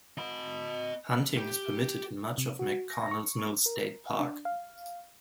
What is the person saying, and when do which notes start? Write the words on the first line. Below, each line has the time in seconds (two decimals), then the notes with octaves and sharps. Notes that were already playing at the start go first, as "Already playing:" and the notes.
Hunting is permitted in much of McConnells Mill State Park.
0.18 D#5 B5
1.37 G4
2.38 C3
2.59 F#4
2.90 A#6
3.11 C#6
3.66 A#4
4.20 D4
4.45 F5